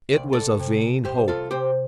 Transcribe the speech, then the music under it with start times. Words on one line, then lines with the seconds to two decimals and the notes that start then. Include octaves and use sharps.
It was a vain hope.
0.13 C2 D5
0.33 A4 D5
0.60 C3
1.05 C2 G4 C5
1.28 F4 A4
1.51 C3 G4 C5